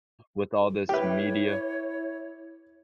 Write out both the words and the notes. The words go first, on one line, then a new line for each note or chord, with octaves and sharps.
with all this media.
E4 G4 B4 C#5 E5 G5